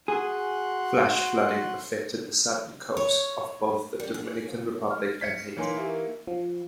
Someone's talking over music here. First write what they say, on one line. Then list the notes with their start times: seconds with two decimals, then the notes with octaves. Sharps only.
Flash flooding affected the southern coasts of both the Dominican Republic and Haiti.
0.08 F#4 G#4 C6 F#6
2.97 C#5
4.00 G3
4.14 G#4
4.91 F6
5.21 B6 C#7
5.57 E3 A#3 D#4 C#5 G#5 C6
5.78 G4 A#4 E5
6.27 F3